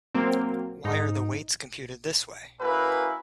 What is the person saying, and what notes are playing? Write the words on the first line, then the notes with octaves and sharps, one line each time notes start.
Why are the weights computed this way?
F#3 A#3 C4
G#2 D#4
A#3 C#4 E4 F#4 A#4 B4